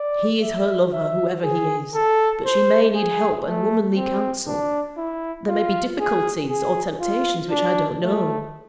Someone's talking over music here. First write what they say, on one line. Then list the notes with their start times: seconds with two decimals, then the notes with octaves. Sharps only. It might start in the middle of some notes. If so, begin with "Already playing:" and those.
He is her lover, whoever he is; but she may need help and womanly counsel;--there may be difficulties or temptations which I don't know.
Already playing: D5
0.42 E5
0.93 E5
1.43 G#4
1.95 A4
2.45 C5
2.95 G#4
3.46 A3
3.96 C4
4.47 D4
4.98 E4
5.49 F4
6.00 G#4
6.49 G#4
7.01 F4
7.50 D4
8.02 A3